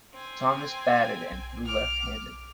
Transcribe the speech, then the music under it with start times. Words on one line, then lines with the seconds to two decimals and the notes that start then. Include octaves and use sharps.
Thomas batted and threw left-handed.
0.13 C4 G#5
1.32 B1
1.66 D6 F6